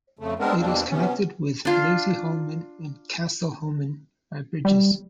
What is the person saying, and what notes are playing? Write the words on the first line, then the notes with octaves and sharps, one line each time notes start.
It is connected with Blasieholmen and Kastellholmen by bridges.
F2 C#3 A3
G#3 B3 C4 D4 A#4
E2 B2 G3 A#3 C4 D4
C3 B3 C#4
D4 F4
G3